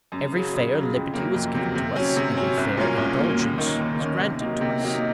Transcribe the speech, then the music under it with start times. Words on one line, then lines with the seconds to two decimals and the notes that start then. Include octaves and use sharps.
Every fair liberty was given to us; every fair indulgence was granted to us.
0.12 F#2
0.32 C#3 F#3
0.54 F#2
0.74 C#3 F#3
0.94 F2
1.14 C3 F#3 A#3
1.34 F2
1.54 C3 F#3 A#3
1.75 C3
1.96 F#3 C#4
2.16 C3
2.37 F#3 C#4
2.57 C2
2.77 A#2 F#3 A#3 C#4
2.97 C2
3.17 A#2 F#3 A#3 C#4
3.39 D#2
3.58 D#3 A#3 C#4
3.79 D#2
3.99 D#3 A#3 C#4
4.20 C3
4.40 F#3 A#3 D#4
4.61 C3
4.81 F#3 A#3 D#4